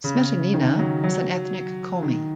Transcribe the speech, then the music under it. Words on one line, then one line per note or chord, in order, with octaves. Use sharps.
Smetanina is an ethnic Komi.
C#3
D#3
F#3
F#3
D#3